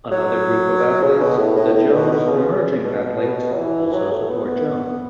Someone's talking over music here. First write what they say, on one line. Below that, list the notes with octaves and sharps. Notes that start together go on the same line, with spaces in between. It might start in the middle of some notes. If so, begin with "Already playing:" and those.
Another group of athletes, the Jones Emerging Athletes, also support Jones.
F#3
C#3
B2
A2
A2
A2
A2
B2
B2
C#3
B2
B2
F#3
E3
E3
F#3
A3
B3